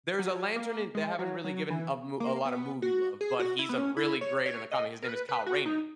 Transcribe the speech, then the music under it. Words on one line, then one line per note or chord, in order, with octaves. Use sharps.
There's a lantern in they haven't really given a a lot of movie love, but he's a really great in the comic, his name is Kyle Rayner,
F#3
A#3
G#3
F#3
F#3
E3
A#3
B3
F#4
G#4
F#4
E4
B3
C#4
E4
C#5
C#5
D#5
A#4
B4
B4
F#4
D#4